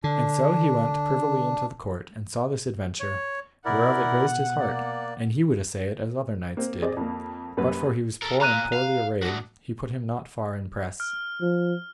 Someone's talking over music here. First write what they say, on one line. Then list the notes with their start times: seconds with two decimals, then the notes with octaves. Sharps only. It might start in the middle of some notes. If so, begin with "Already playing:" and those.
And so he went privily into the court, and saw this adventure, whereof it raised his heart, and he would assay it as other knights did, but for he was poor and poorly arrayed he put him not far in press.
0.04 D3 D4
3.00 C#5
3.65 B2 E4 A#4 D5 F#5
4.60 A#3 D5
6.57 A#3 C4
6.82 C4 G#4 D5 D#5
6.97 F2 A#3
7.57 F#2 F#3 G3 A#3 B4
8.22 A4 A#4
8.41 A#2 F5 A#5 F#6 D#7
8.73 F5
9.22 D4 F#4
11.00 F6
11.41 F3